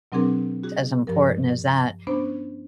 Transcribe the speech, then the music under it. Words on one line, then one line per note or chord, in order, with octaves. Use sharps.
as important as that.
B2 F#3 C4 D4 G#4 A#4
F#4 G#4
G2 F3 A#4
B3 C#4 D4 C5